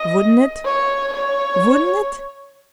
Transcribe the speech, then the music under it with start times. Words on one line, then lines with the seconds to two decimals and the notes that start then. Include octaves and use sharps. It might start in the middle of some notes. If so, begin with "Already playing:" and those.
Wouldn't it? Wouldn't it?
Already playing: D#5
0.65 C#5
1.14 C#5